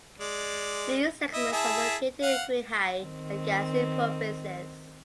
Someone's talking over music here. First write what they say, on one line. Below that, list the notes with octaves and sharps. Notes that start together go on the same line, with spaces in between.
These segments are located in Qinghai and Gansu provinces.
G#3 D5
E4 D#5
E4 G#4 A5
F5 F#5
D#3 C4